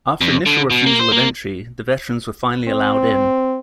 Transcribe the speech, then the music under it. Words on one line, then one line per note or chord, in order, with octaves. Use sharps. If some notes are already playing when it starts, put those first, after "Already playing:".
After initial refusal of entry, the veterans were finally allowed in.
F2
D3
B2
A#3
C5
A#3
C4